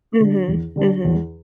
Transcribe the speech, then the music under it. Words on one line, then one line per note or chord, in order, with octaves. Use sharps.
Mhm, mhm.
D3 G3 D4
E2
D3 G3 D4
E2